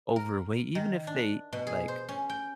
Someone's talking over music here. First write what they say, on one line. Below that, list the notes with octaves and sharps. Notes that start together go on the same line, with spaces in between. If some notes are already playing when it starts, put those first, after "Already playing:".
overweight even if they, like,
A#4
D#3
D4
B2
G#4
C5
C#4
G5